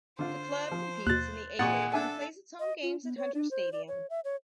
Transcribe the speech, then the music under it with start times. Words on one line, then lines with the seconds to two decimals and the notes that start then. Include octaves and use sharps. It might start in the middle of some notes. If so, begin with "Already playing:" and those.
The club competes in the A-League and plays its home games at Hunter Stadium.
0.19 D3 F4 C5
0.71 F3
1.07 D#2 B2 F#6 A6
1.59 A#2 G#3 F#5 C#6 D#6 A6
1.93 D4 A4 E5 G#5
2.59 D#5
2.83 F4
3.03 B3
3.17 C#5
3.34 D4
3.51 C5
3.72 D5
3.88 C#5
4.10 E5
4.24 C#5